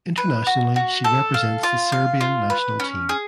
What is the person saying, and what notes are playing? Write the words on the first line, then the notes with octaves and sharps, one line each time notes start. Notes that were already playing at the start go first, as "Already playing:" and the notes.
Internationally she represents the Serbian national team.
B4
F#4
F#4
A4
F5
F4
F5
F4
B4
C#4
G#4